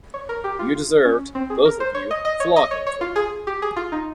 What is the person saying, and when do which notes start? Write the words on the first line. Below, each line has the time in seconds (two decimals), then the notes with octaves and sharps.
You deserved, both of you, flogging for that!
0.14 C#5
0.29 A#4
0.44 G4
0.59 F4
1.05 C#4
1.35 C4
1.50 G#4
1.66 A#4
1.80 C5
1.95 C#5
2.11 D#5
2.25 D#5
2.40 C#5
2.56 D#5
2.71 C#5
2.87 C#5
3.01 F4
3.16 G#4
3.47 G4
3.62 G#4
3.76 F4
3.92 D#4